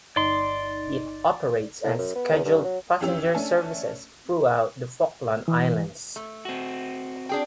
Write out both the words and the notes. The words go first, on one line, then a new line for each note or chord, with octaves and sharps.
It operates unscheduled passenger services throughout the Falkland Islands.
G1 D#4 D5 C6
A2
F#2
B3
E2
G2
F#3
F2 E3 C#4 G4 E6 F7
A3 C#4 D4 G#5 A5
E3
A3
C4 F#4
D4 G#4 G5